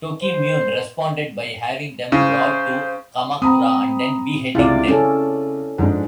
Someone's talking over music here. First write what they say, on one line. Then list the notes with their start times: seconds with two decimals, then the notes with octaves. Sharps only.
Tokimune responded by having them brought to Kamakura and then beheading them.
0.23 C5
2.12 C#3 C5
3.42 C4 A#5 B5 D#6
4.55 C#2 C3 E4 F4 D5
4.88 C#3 C#4 A4
5.78 G#2 F3 G#3 D4